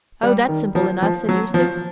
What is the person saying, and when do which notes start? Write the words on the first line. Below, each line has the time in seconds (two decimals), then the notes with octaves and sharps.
"Oh, that's simple enough," said Eustace.
0.23 G3
0.49 D#3
0.75 F3
1.02 F3
1.29 F#3
1.54 F3